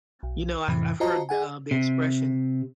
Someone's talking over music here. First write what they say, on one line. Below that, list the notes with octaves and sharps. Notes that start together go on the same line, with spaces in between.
You know, I've I've heard the, um the expression
B1
F2 A2 C3 E3
F4 F#4 C5 D#5 A5 A#5
G#4 F#5 G#5
C3